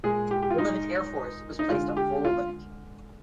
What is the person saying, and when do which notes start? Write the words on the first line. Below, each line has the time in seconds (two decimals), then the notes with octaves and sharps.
Eleventh Air Force was placed on full alert.
0.03 A#2 G#3 G#4
0.31 G4
0.42 G4
0.50 F4
0.58 D#4
1.59 D#4
1.68 D3 G#3 F4
1.97 G4
2.25 F4